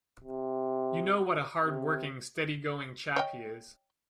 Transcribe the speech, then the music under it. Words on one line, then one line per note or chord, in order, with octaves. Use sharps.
You know what a hard-working, steady-going chap he is.
C3
C3
C#5 D#5 G5